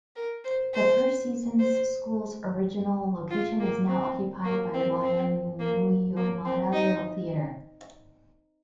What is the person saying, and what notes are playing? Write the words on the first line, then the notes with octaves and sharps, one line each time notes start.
The first season's school's original location is now occupied by Wainuiomata Little Theatre.
A#4
C5
C5
C5
F4
A#3
C4
A#3
C4
C4
A#3
A#3
C4
D#4